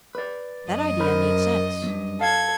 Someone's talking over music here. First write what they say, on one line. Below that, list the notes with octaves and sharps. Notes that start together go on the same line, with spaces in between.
That idea made sense.
B4 D5
F#2 D#5
A#4 C5 B5
E2 G2
A4 F5 G#6